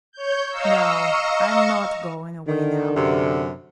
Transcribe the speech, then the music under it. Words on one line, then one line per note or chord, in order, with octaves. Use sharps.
"No, I'm not going away now."
C#5 G6
D#5 F5 A#5 C#6 E6
D3 D#3
F#2 C3